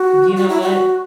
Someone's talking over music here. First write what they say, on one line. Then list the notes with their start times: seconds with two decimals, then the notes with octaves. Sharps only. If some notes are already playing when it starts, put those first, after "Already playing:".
Do you know what?
Already playing: F#4
0.36 F#4
0.49 E4
0.62 F#4